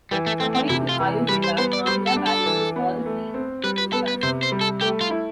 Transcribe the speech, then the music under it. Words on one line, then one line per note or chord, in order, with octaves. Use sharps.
According to Ayurveda, amla balances all three doshas.
E3 G3
A3
A3 C4
C4
C3 E4
F4
E3
G3 B4
C5
B3 C5
D5
G3 C5
A4
D4
A4
E3
B3
A3
C4
G3 B4
B4
B3 A4
B4
C3 C5
C5
G3
A4
A3 G4
F4
E4